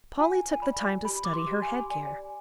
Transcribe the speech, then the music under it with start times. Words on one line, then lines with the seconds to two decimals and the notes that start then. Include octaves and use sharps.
Polly took the time to study her headgear.
0.19 F4 G#5
0.52 G#5
0.62 D5 B5
1.04 G4 B5
1.25 D6
1.33 C6
1.48 G4
1.62 G#5
1.90 D5 G#5